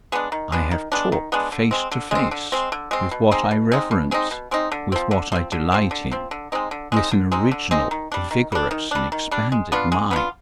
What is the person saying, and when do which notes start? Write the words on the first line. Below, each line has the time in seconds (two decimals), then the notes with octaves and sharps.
I have talked, face to face, with what I reverence, with what I delight in,--with an original, a vigorous, an expanded mind.
0.12 G#3 B3 D4
0.32 D#3
0.52 G#3 B3 D4
0.71 D#3
0.92 G#3 B3 D4
1.12 D#3
1.32 G#3 B3 D4
1.52 D3
1.71 G#3 C4
1.91 D3
2.11 G#3 C4
2.31 D3
2.52 G#3 C4
2.72 D3
2.91 G#3 C4
3.11 B2
3.31 G#3 C4 D#4
3.51 B2
3.72 G#3 C4 D#4
3.91 B2
4.11 G#3 C4 D#4
4.31 B2
4.51 G#3 C4 D#4
4.72 D3
4.92 F3 C4
5.11 D3
5.32 F3 C4
5.52 D3
5.72 F3 C4
5.91 D3
6.11 F3 C4
6.31 D3
6.52 G#3 C4 D#4
6.71 D3
6.92 G#3 C4 D#4
7.11 D3
7.32 G#3 C4 D#4
7.51 D3
7.71 G#3 C4 D#4
7.91 D#3
8.12 G3 D4
8.31 D#3
8.52 G3 D4
8.71 D#3
8.91 G3 D4
9.12 D#3
9.31 G3 D4
9.52 G#3
9.72 B3 D4 F4
9.92 G#3
10.11 B3 D4 F4